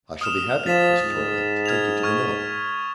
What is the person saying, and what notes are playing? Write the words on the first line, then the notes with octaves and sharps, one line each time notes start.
"I shall be happy, Mrs. Roylake, to take you to the mill."
D#6 F6 E7
F3 A6 B6 E7
G#2
F6 G#6 F7
C#6 F6 G#6